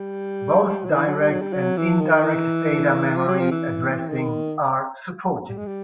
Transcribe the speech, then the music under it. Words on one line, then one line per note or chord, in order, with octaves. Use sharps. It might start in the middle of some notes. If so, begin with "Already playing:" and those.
Both direct and indirect data memory addressing are supported.
Already playing: G3
F#3
D#3
E3
F#3
G3
F#3
G3
F#3
E3
D#3
E3
F3
F#3
F3
E3
D#3
G3
G#3
G3